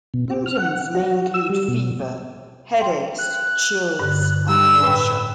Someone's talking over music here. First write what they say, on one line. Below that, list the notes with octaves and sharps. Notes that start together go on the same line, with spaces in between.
Symptoms may include fever, headaches, chills, and nausea.
B2
C4
F6
F#5
F#4
E6
G3
B2
G5 C6
F#6
G2 D3
G3 G5 E6
A2 B4 G5